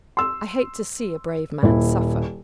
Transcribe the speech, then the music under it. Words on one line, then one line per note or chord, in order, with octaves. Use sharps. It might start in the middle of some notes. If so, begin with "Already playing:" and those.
I hate to see a brave man suffer.
C6 E6
D#1 E4